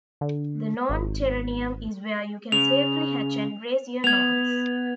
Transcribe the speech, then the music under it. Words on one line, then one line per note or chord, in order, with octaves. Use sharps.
The Norn Terranium is where you can safely hatch and raise your norns.
D3
G#1
C#3 F7
B3 G#6 F7